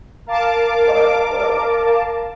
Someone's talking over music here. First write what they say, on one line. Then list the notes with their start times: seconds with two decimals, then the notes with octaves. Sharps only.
what I've what I've
0.27 A#4 F5 A5 D6